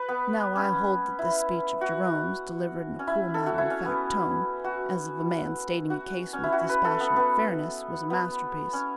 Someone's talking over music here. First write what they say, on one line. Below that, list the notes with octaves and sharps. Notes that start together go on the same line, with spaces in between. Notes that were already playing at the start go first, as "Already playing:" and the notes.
Now, I hold that this speech of Jerome's, delivered in a cool, matter-of-fact tone, as of a man stating a case with dispassionate fairness, was a masterpiece.
Already playing: B4
B3
C#4
E4
F#4
C#4
E4
A4
F#4
E4
C#4
B3
F#4
F#4
C#4
E4
F#4
B4
A4
B3
B3
B3
C#4